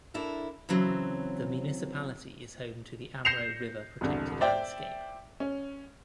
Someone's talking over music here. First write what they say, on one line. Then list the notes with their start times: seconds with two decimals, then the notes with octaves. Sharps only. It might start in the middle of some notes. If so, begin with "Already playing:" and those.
The municipality is home to the Amro River Protected Landscape.
0.14 D4 E4 A4 A#4
0.69 C#3 E3 F#3 C4
3.25 G6 A#6 C7 C#7 E7 F7
4.01 E1 C2 D3
4.41 C5 D5 E5 G5
5.40 C#4